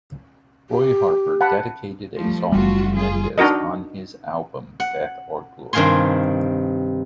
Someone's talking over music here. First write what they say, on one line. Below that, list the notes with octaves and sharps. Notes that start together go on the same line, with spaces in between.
Roy Harper dedicated a song to Mendes on his album "Death or Glory".
G4
F#5 A5 B5
F3 G3 A3
F#1 G3 A3 F4 F#4
F4 G#4
D4 D#4 F#4 A#4 D#5
F#5
G2 C3 D#3 F5 G#5 C6